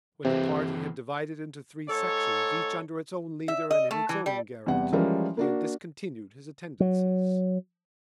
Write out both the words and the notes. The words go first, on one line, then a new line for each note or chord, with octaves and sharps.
When the party had divided into three sections, each under its own leader and in its own garret, he had discontinued his attendances.
C3 E3 C4
G#2 A4 C#5
E5
D#5
A3
E3
G3
E2 C3 G3 F#5
E3 F3 G3 G#3 C#4 A#4
A#3 D4 F#4
F#3